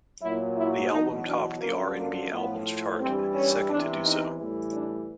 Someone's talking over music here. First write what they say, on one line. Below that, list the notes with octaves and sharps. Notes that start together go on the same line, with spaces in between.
The album topped the R and B albums chart, his second to do so.
A#2 F#3 E4
E4
E2 B2 F#3 D#4
D4
F#2 D3 F3 A#3
A#3
A2 F3 B3
G2 E3 G3 C4
C#4
E2 C3 E3 D4
D#4
A2 E3 G3
D4